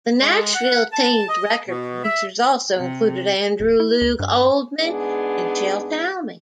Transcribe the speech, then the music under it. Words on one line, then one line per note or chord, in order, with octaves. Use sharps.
The Nashville Teens' record producers also included Andrew Loog Oldham and Shel Talmy.
G#3
F#5
A5
D#5
B2
E5
C3
D1
E4
D2
G2
G#2 B3 D4 G#4